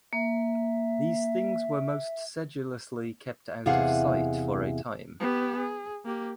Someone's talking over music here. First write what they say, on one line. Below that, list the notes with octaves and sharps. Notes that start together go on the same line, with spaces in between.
These things were most sedulously kept out of sight for a time.
A#3 E5
E2 C3 E4 G#4 F5 F#5
B3 G4
G#4
A#3 G4